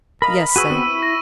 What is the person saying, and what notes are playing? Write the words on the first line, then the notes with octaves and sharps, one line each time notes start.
"Yes, sir."
A#4 D#5 F5 B5
F#4 G#4 B4 C#6 E6 D#7
B3 C4 F#4
E4
A#6